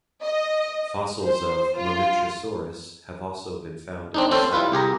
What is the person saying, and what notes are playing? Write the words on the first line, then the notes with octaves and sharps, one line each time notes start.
Fossils of "Mamenchisaurus" have also been found at the site.
D#5
C5
F4
C4 D4 D#4
C4 C#4 A4 C5
G3 E4 F4 B4
C2 G4 G#4 A#5